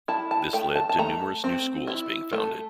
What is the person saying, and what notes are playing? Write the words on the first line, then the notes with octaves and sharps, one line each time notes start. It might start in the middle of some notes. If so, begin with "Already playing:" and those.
This led to numerous new schools being founded.
E4 A5
A5
A3 G5
A5
A5
A3 A#5
C4
E4
A3